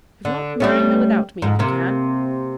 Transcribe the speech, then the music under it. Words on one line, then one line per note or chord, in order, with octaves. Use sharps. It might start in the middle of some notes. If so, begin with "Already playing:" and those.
If not, marry her without me if you can.
D3
G3 A3 C#4
F2 G#2
C3 A#3